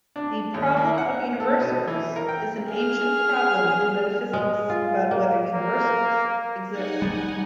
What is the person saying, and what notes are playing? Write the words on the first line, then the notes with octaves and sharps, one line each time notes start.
"The problem of universals" is an ancient problem in metaphysics about whether universals exist.
D4
D#2
A#3
F#5
A4
B2
E3
A#4
G5
G#4 F6
G#3
F4
A#3
A#3
D#4 F#5 G#5
G3